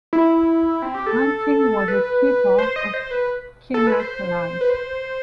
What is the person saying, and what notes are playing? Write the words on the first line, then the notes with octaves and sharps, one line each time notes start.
Hunting was a key part of Kimak life.
E4
C4
G4
A4
B4
C5
D#5
C5
B4
A4
B4
C5
B4
C5